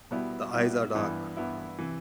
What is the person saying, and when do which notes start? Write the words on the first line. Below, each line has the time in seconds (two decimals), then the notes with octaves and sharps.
The eyes are dark.
0.11 B2 G3 B3 E4
0.53 B2 G3 B3 E4
0.95 G2 E3 B3 E4
1.37 G2 E3 B3 E4
1.78 C3 E3